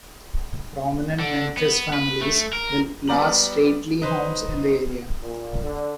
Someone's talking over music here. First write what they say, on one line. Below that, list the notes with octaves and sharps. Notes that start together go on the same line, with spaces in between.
Prominent Memphis families built large stately homes in the area.
D3
B3
B4
A3
A#4
G3 B3 D5 A#5 F#7
D#4 B4 C5
A#2
D3